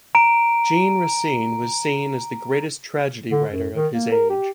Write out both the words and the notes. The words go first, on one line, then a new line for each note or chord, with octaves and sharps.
Jean Racine was seen as the greatest tragedy writer of his age.
A#5 D7
D3
F#2
D#3
A#3
A#4
G4